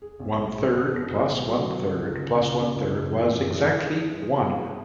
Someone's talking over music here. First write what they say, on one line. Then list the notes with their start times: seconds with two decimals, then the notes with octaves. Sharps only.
One third plus one third plus one third was exactly one.
0.02 G#4
0.20 B1
0.37 B1
0.56 G#4
0.75 B2
0.92 B2
1.11 B1
1.29 B2
1.47 F#3
1.66 F#3
1.83 C#3
2.02 C#2
2.20 C#3
2.38 C#2
2.57 C#3
2.75 C#2
2.93 F#2
3.12 E3
3.30 F#2
3.49 E3
3.67 E3
3.84 G#4
4.03 E3
4.21 G#4
4.40 B2
4.58 G#4